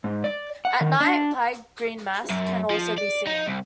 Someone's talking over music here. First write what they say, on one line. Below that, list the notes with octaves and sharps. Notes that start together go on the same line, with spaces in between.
At night, Pye Green mast can also be seen.
G#2
D5
F#5
D#3
D4
F#2
F3
D5
D#4
C2